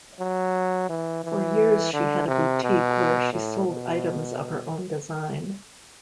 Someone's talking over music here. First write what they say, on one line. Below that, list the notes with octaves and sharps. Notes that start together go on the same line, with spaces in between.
For years she had a boutique where she sold items of her own design.
F#3
E3
E3
D3
C3
B2
A2
B2